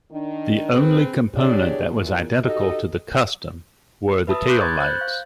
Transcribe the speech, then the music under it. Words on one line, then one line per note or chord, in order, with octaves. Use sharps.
The only component that was identical to the Custom were the tail lights.
D#3 D4
C4 G#4 B4
E2 D4 G4 G#4 C#5
E2 A#2
D#4 F#4 G4 A4 D#5
B4 E5 A5 B5 D#6 E6
C6 D6 E6 F#6 G6
B5 C#6 G#6 A6
C5 F#6 G6
F5